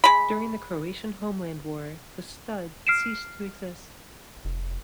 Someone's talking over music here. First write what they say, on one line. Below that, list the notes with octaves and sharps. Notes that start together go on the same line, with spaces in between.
During the Croatian Homeland War the Stud ceased to exist.
G#3 B5
F6 C7 D7 E7
F1